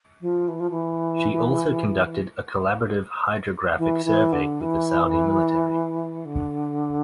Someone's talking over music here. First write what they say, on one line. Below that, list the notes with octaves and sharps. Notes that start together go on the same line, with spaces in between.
She also conducted a collaborative hydrographic survey with the Saudi military.
F3
E3
F3
E3
E3
E3
D3
E3
D3